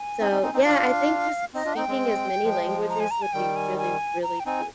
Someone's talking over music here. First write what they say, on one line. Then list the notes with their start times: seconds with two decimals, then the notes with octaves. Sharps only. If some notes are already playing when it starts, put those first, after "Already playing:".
so yeah, I think just s speaking as many languages would be really, really cool
Already playing: G#5
0.20 C4 D#4
0.32 C4 D#4
0.42 C4 D#4
0.53 C4 D#4
0.65 D4 F4 F5
1.54 C4 D#4 D#5
1.65 D4 F4
1.76 C4 D#4 G5
1.88 G#3 C4
2.44 F3 G#3
2.90 A#5
3.00 G#5
3.11 A#5
3.22 G#5
3.33 D#3 G3 G5
3.56 G#5
3.78 G#5
4.23 A#5
4.40 G5
4.46 C4 D#4 G#5